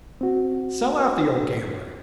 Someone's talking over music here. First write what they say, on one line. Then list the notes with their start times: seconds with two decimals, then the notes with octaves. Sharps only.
'Sell out the old gambler!
0.21 C4 F#4